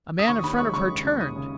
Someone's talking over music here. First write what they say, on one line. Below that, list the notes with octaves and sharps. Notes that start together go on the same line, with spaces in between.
A man in front of her turned.
D#6
D#2 C#6
D#2 B5
G#3 C#6
C#3 C#6
D#2
D#2
G#3 D#6
C#3